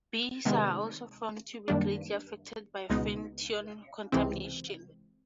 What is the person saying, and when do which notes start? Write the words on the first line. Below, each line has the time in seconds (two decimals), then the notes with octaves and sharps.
Bees are also found to be greatly affected by fenthion contamination.
0.45 C3 D#3 G#3 B3
1.68 F#2 D#3 G3 A#3 D4
2.90 C#2 B2 G#3 B3 D#4
4.12 C#2 C3 E3 G#3 C4